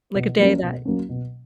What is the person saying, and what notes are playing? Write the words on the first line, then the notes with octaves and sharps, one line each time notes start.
like a day that,
B2
F#3 A#3 C#4
B2
F#3 A#3 C#4
B2